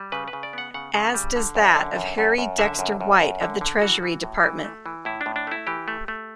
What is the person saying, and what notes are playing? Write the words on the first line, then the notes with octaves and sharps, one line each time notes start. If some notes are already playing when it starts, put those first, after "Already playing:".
As does that of Harry Dexter White of the Treasury Department.
Already playing: G3
C#3 B4
B4
C#3
D5
B3 F#5
C#3 F#5
C#3
G3
D3
F#2
D3
F#2
F#2
F#2
D3 E5
F#2
F#2
F#2
D3
D3
E3 F#4
E3
A2
E3
A3
E3
A2 E4
D4
A2
D4
A3 E4
E3 G4
A3
A3